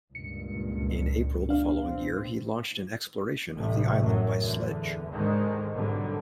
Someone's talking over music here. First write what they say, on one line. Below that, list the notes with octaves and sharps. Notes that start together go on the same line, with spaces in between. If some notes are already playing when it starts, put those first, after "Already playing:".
In April the following year, he launched an exploration of the island by sledge.
C#2 G2 A#2 C#7
D4 F5
B2 C4
A1 G2 C3 A3
F#2 A2 F#3
E2 D3
G#2 D3 D#3 G#3
G#1 B2 D3 F#3 G3